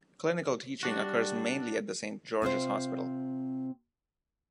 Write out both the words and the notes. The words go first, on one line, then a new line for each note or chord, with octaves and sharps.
Clinical teaching occurs mainly at the Saint George's Hospital.
G3 D4 F#4
C3 C4 F4 C5